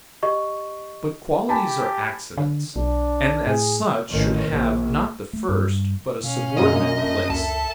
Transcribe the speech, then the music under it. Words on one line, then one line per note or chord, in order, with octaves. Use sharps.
But qualities are accidents, and as such should have, not the first, but a subordinate place.
G4 D#5 C#6
G4 G#5 A5 B5
D3
B1 D4
A2 G#4
A1 D#3
A#1
A3
G2
B2 C#4 F5
A#1 F#2 D#5
A3
C#2 A4 E5 A5